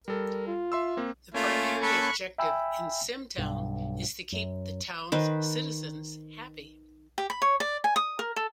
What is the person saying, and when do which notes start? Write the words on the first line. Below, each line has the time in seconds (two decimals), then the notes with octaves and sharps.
The primary objective in "SimTown" is to keep the town's citizens happy.
0.08 G3 A4 A#4
0.47 F4
0.72 E5 C6 E6
0.97 A#3 C4
1.34 A3 A#3 C#4 F4 G#5
1.82 A4 B5 C#6 F#6
2.38 E5 G5 G#5 B5 E6
3.38 B1 G2
4.32 F#2
5.12 D#3 B4 C5
7.18 G4
7.30 B5
7.42 C#5
7.60 D5
7.84 G#5
7.96 D#6
8.19 A#4
8.36 A4